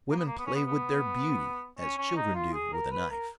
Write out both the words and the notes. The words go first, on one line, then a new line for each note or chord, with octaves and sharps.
Women play with their beauty as children do with a knife.
A#3
B3
A#3
B3
C#4
B3
B3
C#4
C#4
D#4
F4
G#4
A#4
B4
A#4